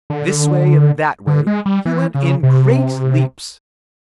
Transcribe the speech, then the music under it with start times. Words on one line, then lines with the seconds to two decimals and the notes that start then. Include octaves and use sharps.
This way and that way he went in great leaps.
0.10 D3
1.27 D3
1.47 G#3
1.66 G3
1.85 E3
2.15 C#3
2.43 C3